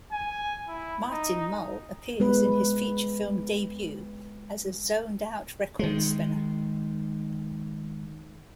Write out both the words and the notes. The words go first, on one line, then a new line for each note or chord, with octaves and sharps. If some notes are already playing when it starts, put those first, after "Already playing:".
Martin Mull appears in his feature film debut as a zoned-out record spinner.
G#5
E4
D#4
G#3 B3 B4
D#3 G#3